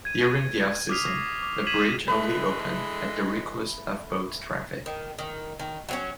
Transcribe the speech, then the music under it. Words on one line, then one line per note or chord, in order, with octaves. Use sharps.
During the off-season, the bridge only opened at the request of boat traffic.
G#6 D#7
D6 D#6 F6 B6 C7 F7
C#6 A#6 C7
D6
G#6 B6 D#7 E7 F#7
D3 E3 G#3 A3 B4
D#3
D#3
D#3
F#3 C4 C#4